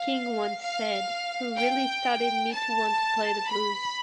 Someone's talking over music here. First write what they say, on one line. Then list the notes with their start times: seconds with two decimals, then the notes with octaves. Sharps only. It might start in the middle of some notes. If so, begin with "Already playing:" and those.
King once said, who really started me to want to play the blues.
Already playing: F5
0.61 F5
1.57 G5
2.53 A5
3.49 B5